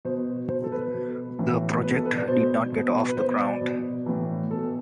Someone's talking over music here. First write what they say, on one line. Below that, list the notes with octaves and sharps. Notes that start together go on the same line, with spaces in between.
The project did not get off the ground.
B2 C5
B2 C5
A4
B4
B2
A2 E3
B2 B4
A4
B4
D5
B2 C5
B2
B4
B2 C5
D5
B2
A2 E3
B2 A4